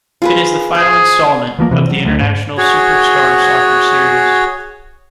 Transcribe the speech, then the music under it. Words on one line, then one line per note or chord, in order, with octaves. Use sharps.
It is the final installment of the "International Superstar Soccer" series.
F4 G#4 B4
G#4 C5
E3 F3 A#3
C3 E3
F#3
D2
G#2
F#4 G#4 C#5